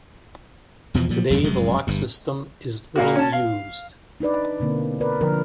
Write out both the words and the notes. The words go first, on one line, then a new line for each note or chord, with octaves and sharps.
Today, the lock system is little used.
E2 B2 E3 F3
A#2 F3 F#3
F#1 E2 G2 D3
F1 F#2 G#3
G1 G2
A#2 A#3 F#4
C#4 A5
F5
D4 D#4 B4 D5
B2 D3 A#3 C4
A#4 B4 D5
D3 F3 A#4